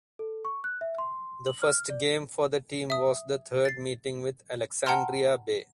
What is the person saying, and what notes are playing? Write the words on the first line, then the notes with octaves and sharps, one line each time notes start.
The first game for the team was the third meeting with Alexandria Bay.
A4
C#6
F#6
E5
C6
F#7
F6
D5
E5 D#6
A6 C7
F#5 G5 A5 A#5 C6 F6